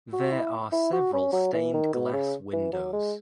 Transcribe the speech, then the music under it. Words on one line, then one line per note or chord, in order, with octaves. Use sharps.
There are several stained glass windows.
F#4
E4
E4
F#4
C#4
F#3
E3
D#3
B2
C#3
E3
F#3
G#3